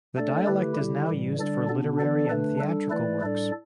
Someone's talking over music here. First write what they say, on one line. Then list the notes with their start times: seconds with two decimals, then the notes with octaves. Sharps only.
The dialect is now used for literary and theatrical works.
0.17 A3 D4 A4 D5
0.46 D3 A3 E4 G4 B4
0.77 D3 G3 E4 G4
1.07 A2 E3 G3
1.38 D3 G3 D4 A4 D5
1.69 B2 B3 D4
1.99 E3 B3 D4 A4 D5
2.29 D3 A3 D4 B4
2.60 G3 D4 A4
2.90 E3 A3 E4 B4 D5
3.21 A2 G3 D4 A4 D5